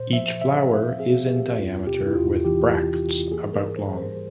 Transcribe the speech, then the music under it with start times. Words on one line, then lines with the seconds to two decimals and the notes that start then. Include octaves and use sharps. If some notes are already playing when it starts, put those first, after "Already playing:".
Each flower is in diameter with bracts about long.
Already playing: A#2 C5
0.12 F3 E5
0.42 F3 E5
0.70 C4 F5
0.99 C4 G#4
1.29 C4 G4
1.58 E2 F4
1.87 C3 G4
2.07 E4
2.15 E2 F4
2.45 E3 G4
2.74 E3
3.03 E3
3.32 A#3 G#4
3.53 A#4
3.62 G#2
3.76 C5
3.90 G3
3.97 C5